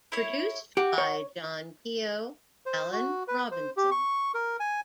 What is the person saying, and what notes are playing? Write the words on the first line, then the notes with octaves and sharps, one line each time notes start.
Produced by: John Keogh, Alan Robinson.
E4 C#5
F#4 G4
C#5
C5
F#4
B4
C5
G4
C#6
A#4
G#5